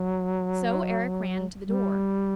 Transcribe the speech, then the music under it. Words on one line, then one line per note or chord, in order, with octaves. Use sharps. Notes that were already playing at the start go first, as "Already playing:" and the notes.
So Eric ran to the door.
Already playing: F#3
G3